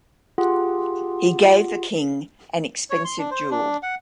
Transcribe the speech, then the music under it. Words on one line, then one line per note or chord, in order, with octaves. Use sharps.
He gave the king an expensive jewel.
F4 G4 G#4 F#5
C#5
C6
D4
C5
D4
F#5